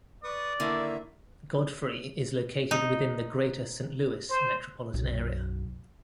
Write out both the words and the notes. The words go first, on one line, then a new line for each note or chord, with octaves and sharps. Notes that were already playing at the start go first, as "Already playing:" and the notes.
Godfrey is located within the Greater Saint Louis metropolitan area.
B4 D5 C#6 D#6
D3 D#3 A#3 E4 E5
D#4
C5
B1 F#2